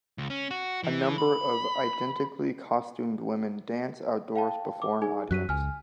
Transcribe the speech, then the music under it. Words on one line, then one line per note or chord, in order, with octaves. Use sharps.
A number of identically costumed women dance outdoors before an audience.
C#2
C#4
F#4
E3
B5
F5 G5 A5
D6
D#4 G#4 G#5
F#2 F#3 F#6 B6 D#7
C#2 G#5 F6